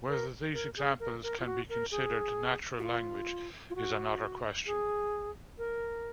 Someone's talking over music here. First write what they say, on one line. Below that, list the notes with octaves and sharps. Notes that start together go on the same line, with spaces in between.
Whether these examples can be considered "natural language" is another question.
A#4
A#4
G#4
A#4
A#4
F4
F#4
A#4
G#4
F#4
F4
F4
F#4
G#4
A#4